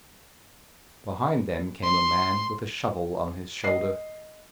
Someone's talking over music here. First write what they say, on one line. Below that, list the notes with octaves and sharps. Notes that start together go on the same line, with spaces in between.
Behind them came a man, with a shovel on his shoulder.
C6
D#5 C7